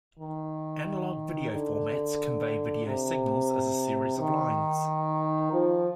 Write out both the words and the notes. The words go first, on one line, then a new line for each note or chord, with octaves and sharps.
Analog video formats convey video signals as a series of "lines".
D#3
D3
C3
D#3
F3